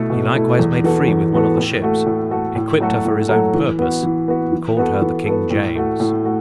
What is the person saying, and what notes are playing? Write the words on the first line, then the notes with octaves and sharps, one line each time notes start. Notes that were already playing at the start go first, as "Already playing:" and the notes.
He likewise made free with one of the ships, equipped her for his own purpose, and called her the King James.
Already playing: B2 A3 E4 A4
B2
A3 E4 A4
E2
E3 B3 F#4 A4
E2
E3 B3 F#4 A4
A2
A3 F#4 A4
A2
A3 F#4 A4
A2
F#3 A3 F#4 A4
A2
F#3 A3 F#4 A4
E3
B3 F#4
E3
B3 F#4
E3
B3 F#4 A4
E3
B3 F#4 A4
A2
A3 F#4
A2
A3 F#4